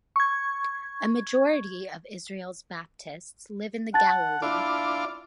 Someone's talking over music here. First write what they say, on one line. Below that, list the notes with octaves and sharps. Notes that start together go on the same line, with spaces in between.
A majority of Israel's Baptists live in the Galilee.
C#6 G#6
F#5 A5 A6
D4 E4 F4 D5